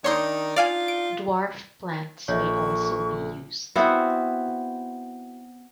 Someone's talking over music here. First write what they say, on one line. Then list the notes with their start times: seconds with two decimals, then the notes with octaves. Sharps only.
Dwarf plants may also be used.
0.04 D#3 D4 D#4 C#5 C6 G6
0.56 F4 D5 F5 G#5
0.88 D7
2.28 A#1 A4 C#5 D#5 E5 C#6
3.76 B3 C4 E4 F#4